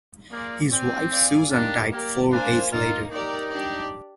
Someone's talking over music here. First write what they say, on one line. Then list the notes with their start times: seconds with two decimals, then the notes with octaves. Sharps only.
His wife Susan died four days later.
0.31 A#3 F4 G#4 D5
0.71 C4 G4 D5 G#5
1.12 G#4 D5 F5 G#5
1.51 A#3 D4 D#4 G4
1.92 A#3 G4 A#4 D5
2.31 A#3 D4 F4 C5 F5 G#5
2.72 A#3 D#4 F4 A#4
3.11 D#4 G4 A#4 D5
3.52 D4 G4 D5